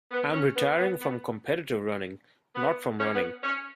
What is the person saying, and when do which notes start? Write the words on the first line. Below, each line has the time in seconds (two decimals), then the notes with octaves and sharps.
I'm retiring from competitive running, not from running.
0.11 B3
0.33 C#4
0.55 B3
0.77 B3
0.99 B3
2.54 B3
2.99 C#4
3.13 B3
3.43 C#4